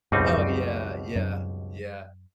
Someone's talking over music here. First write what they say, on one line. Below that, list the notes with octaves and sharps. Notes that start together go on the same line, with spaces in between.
Oh, yeah, yeah, yeah.
C#2 G2 B2 G3 C4 D#4
F#2
F2
F#2
F#2